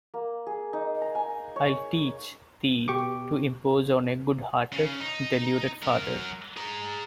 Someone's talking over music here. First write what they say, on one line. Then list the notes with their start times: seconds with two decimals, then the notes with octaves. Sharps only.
I’ll teach thee to impose on a good-hearted, deluded father.
0.14 A#3
0.47 G#4
0.73 D#4
1.02 A#5
1.15 G#5
1.56 C#5
2.88 B2 G4 C#6 D6
4.73 C#3
5.00 D#4
5.83 F#3 A#4
6.57 G#4 A#5